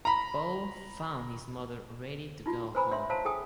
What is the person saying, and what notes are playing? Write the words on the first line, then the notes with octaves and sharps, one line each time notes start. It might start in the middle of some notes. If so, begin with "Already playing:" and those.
Paul found his mother ready to go home.
A#5 B5
D#4 F4 F#4
B4 C5 G#5 A#5 B5
D4 C#5 E5 C6
C5 C#5 F5 A5 A#5
G#4 A4 G5 G#5 D#6